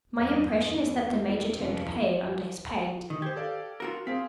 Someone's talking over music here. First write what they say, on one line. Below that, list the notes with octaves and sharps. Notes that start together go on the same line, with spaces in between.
My impression is that the Major turned pale under his paint.
E2 G2 D#5
E2
F2 C3 E3 F3 C#4
D#3
G4 C5 G#6
A4 D5 F5
F4 F#4 A#4
C4 G#4 F5 B6